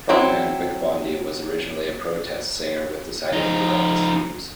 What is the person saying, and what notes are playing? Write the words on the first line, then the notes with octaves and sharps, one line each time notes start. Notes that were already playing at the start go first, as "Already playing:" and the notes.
Frontman Vic Bondi was originally a protest singer with decidedly leftist views.
F#3 C4 E4
F3 D#4